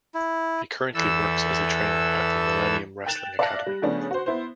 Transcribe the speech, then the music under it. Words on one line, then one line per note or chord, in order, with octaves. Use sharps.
He currently works as a trainer at the Millenium Wrestling Academy.
E4
E2 E3 A4 E6
G5 F#6 A6 E7 F7
D5 E5 F5 A5 F#6 A#6
G3
C#3 F3 A3 B3 C#4 D4
F#4 C5
B3 E4 C5